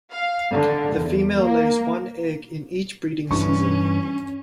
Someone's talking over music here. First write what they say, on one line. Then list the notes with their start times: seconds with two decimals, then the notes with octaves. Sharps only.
The female lays one egg in each breeding season.
0.13 F5
0.53 D3
0.96 E2
1.39 A#3
3.31 G2 E3 C#4 D4 C#6